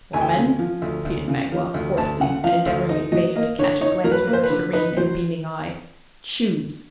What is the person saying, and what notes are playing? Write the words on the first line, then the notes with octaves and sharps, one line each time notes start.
"Woman," repeated Magua, hoarsely, and endeavoring in vain to catch a glance from her serene and beaming eye, "choose!"
D2 G#5
G5
G#5
C#3
F3
D2
D2
C#3
F3
D2
D2 A5
C#3 F#5
F3 F5
D2
D#4 D#5
F#3 D#5
A#3 D#5
D3 C#5
D#4 C#5
F#3 A#4
B4
A#3
C5
B4
D3
D#4 B4
F#3 C5